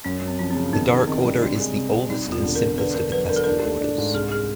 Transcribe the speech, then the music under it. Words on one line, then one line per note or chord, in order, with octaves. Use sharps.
The Doric order is the oldest and simplest of the classical orders.
F#2 C#4
F#2
C4
F3 C#4
C4
C#3
D#3 B3
D#3
D#3 C4
G3
C3 D4
G#3
C3
C3
G3 D#4
E1 F4
D3
A#4
E1
D3 B4
D3 A#4
F#3 B4
D3 A#4
A4
D4 A#4
A3
D4
G#2
C2 G#4
G#4